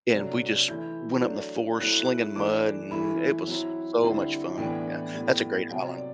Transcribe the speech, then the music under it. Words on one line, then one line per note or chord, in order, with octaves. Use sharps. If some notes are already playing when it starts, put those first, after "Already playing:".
and we just went up in the forest, slinging mud, and it was s so much fun. Yeah, that's a great island.
C3 F#3 A3 D4
E3 A3 E4 G6
F#3 A3 D4
F#3 A3 C4 E4 F#6
E3 A3 D4 D6
E3 A3 E4 B5
F#3 C4 E4
D3 G3 C4 E4
A2 E3 B3 D4 G5
A2 G3 B3
C3 F#3 C4 G5
D5